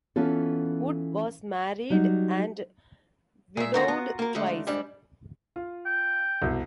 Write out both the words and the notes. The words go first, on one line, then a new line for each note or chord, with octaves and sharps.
Wood was married and widowed twice.
E3 B3 C#4 F4 A4
F#3 G3 D#4 F#4
A#2 G#4 E5
D#2 D3 F4 F#4 A#4 A#5
B3
A#3 A#4
D3 G#3 A3
G#2 G3 D4
F4
G5
C2 B2